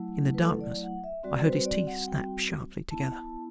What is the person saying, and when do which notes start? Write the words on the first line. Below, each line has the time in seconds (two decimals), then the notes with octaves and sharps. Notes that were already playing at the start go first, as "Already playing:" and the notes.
In the darkness I heard his teeth snap sharply together.
Already playing: F#3 A3 E4
0.34 B4
0.40 A4
0.61 D5
0.83 F#5
1.04 E5
1.23 G3 C4 F#4 D5
1.41 B4
1.45 C5
1.65 D5
1.87 F#5
2.08 G5
2.91 B3 E4 A5